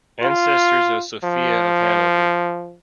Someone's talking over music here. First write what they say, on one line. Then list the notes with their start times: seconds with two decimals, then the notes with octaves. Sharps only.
Ancestors of Sophia of Hanover.
0.22 F4
1.24 F3